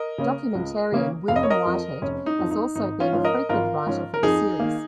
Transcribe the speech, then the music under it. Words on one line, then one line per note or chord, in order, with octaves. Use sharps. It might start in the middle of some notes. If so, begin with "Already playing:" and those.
Documentarian William Whitehead has also been a frequent writer for the series.
Already playing: A#4 D#5
C#3 A#3 C#4
C#2
C#3 A#3 C#4
F1 F5
D#5
C#5
A#4 D#5
F2 F3
F1 C#4
D#4
F2 F3
D#4
G#1 D#4
C#4 F4
G#2 F3 C#4
A#4 D#5
G#1 F4 A#4
G#2 F3 C#4
A#4
F2 D#4 G#4
D#3 A#3